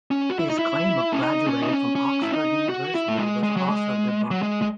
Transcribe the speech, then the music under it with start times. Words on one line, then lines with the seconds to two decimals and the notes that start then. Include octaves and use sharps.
His claim of graduating from Oxford University was also debunked.
0.11 C#4
0.30 F#4
0.39 E4
0.50 D#4
0.59 E4
1.13 C#4
1.22 D#4
1.47 C#4
1.62 D#4
1.72 C#4
1.95 C#4
2.22 E4
2.34 D#4
2.69 F#4
2.95 E4
3.08 A3
3.19 G#3
3.43 G#3
3.56 F#3
3.69 G#3
4.31 F#3
4.42 G#3
4.62 G#3